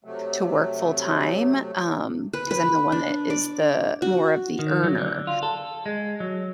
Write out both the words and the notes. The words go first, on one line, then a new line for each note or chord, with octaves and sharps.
to work full time, um, 'cause I'm the one that is the more of the earner,
C3 F#3 A3
B4
B4
D4
D5
F#4
D#3
F#3
D3
F4
A4
G#3
F#3